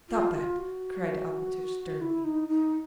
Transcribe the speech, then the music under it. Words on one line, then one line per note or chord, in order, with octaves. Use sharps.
"Stop that!" cried Alpatych sternly.
F4
F#4
F4
F#4
E4
D#4
D#4